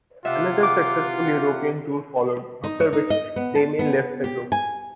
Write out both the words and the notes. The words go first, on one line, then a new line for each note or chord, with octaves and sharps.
Another successful European tour followed, after which Damian left the group.
C3 F4 G4 E5 F#5
D6
D#4
C#5
D#4
D#5
B3
A5
B3
G4
G#5